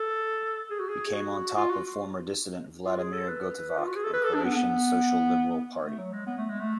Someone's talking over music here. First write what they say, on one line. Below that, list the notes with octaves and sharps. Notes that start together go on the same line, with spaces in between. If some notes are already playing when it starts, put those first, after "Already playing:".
He came on top of former dissident Vladimir Gotovac and Croatian Social Liberal Party.
Already playing: A4
G#4
F#4
G#4
G#4
F#4
F4
F#4
F4
G#4
A4
B4
F4
F#4
G#4
A4
B4
A4
D4
B3
B3
A3
F#3
G#3
B3
A3
G#3
A3